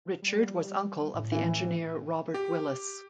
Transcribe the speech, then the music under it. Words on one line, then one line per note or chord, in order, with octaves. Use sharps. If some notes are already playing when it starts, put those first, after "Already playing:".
Richard was uncle of the engineer Robert Willis.
G3
A2
E3
G4